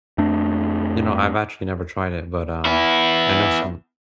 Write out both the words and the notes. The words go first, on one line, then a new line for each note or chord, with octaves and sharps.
You know, I've actually never tried it, but, um, I know some
F2 A3 D4
B3 E4